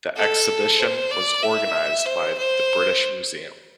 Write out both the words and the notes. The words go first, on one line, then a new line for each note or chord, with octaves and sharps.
The exhibition was organized by The British Museum.
A4
C5
D5
E5
C5
C5